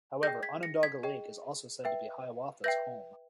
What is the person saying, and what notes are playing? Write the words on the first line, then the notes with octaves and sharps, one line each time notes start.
However, Onondaga Lake is also said to be Hiawatha's home.
G#4 D#5 G5 G6 A#6
G#6 B6
A#6 C#7
G#6 B6
G#4 D#5 G5
B4 E5 G5
B4 E5 G5 G6 A#6